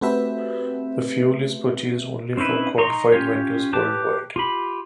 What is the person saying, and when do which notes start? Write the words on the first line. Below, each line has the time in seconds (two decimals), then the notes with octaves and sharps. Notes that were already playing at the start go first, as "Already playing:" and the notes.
The fuel is purchased only from qualified vendors worldwide.
0.01 A3 C4 F#4 G4 B4 E5
2.37 C4 C#4 D#4 E4 B4
2.78 D#4 A#5 C6 C#6
3.12 C#4 F4 G4 C#5
3.73 G4 B4 A5 D6
4.36 F4 G4 B5